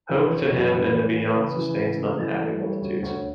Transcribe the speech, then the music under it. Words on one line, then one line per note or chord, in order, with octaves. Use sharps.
Hope, to him, in the Beyond sustains the unhappy multitudes.
E3 B4
C#5
E3
C#5
F#2 B4
E3 B4
E3 C#5
E3 B4
C#3 B4
E3
C#3
A3
E3
A3
G3 C#5
D2 C#5
D2 C#5